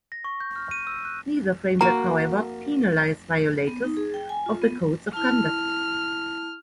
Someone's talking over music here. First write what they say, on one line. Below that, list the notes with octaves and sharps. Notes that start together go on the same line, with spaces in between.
Neither framework, however, penalizes violators of the codes of conduct.
A#6
C#6
G6
F6
D#7
E6
F#6
A#3 F#4 A#5
B3
D#4
G#4
G5
G#5
F4
B3
E4 A5 F6